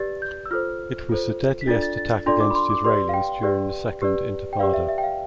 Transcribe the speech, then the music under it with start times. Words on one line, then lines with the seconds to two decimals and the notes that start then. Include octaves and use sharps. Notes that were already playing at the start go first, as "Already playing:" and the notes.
It was the deadliest attack against Israelis during the Second Intifada.
Already playing: G4 B4 D5 A6
0.22 G6
0.46 E6
0.51 F4 A4 C5 F6
1.09 F4 A4 C5
1.61 B6
1.67 D4 F4 A4 D5 A6
1.83 A6
1.97 A6
2.26 D4 F4 A4 D5 C6
2.40 D6
2.51 B5
2.55 C6
2.69 D6
2.84 G4 B4 D5 C6
3.09 F5
3.14 G5
3.43 G4 B4 D5
4.02 G4 B4 D5
4.53 G5
4.59 G4 B4 D5 F5
4.73 E5
4.89 E5
4.98 G5
5.03 F5